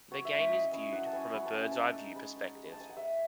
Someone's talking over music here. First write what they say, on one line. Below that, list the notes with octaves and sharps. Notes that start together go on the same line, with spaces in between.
The game is viewed from a bird's eye-view perspective.
F#3 C#5
E5
C#4 E4
C#6
F#3 D#5
C#4 E4
F#3 F#5
A5
C#4 E4 G#5
F#3 B5
A5
C#4 E4 G#5
G#3 A5
D#4
G#3 B5
D#4
G#3
B5
A5
D#4 G#5
F#5
G#3 E5